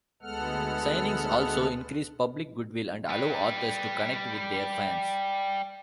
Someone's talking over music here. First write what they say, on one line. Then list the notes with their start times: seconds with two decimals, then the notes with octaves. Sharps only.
Signings also increase public goodwill and allow authors to connect with their fans.
0.22 D2 G#3 B3 A4 F#5 F6
3.09 G3 B4